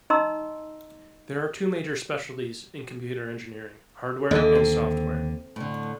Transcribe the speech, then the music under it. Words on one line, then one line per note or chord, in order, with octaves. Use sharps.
There are two major specialties in computer engineering: hardware and software.
D#4 D#5 A#5 C6 E6
D#2 D3 E3 A4 D#5
C4
A2 D3